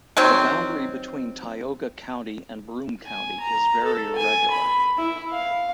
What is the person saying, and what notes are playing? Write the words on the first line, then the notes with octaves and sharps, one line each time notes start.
The boundary between Tioga County and Broome County is very irregular.
D#3 F#3 C4
G#5
A#5
A4
G#5
B5
E4
F5